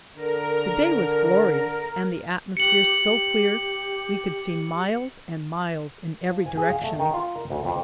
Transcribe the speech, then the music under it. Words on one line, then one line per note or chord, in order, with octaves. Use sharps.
The day was glorious, and the atmosphere so clear, we could see miles and miles in every direction.
D3 A#4
G4 C#7 F#7
G4
F3
G#5
G#4
F5
A3
D#3
F4
A#4
D2
F2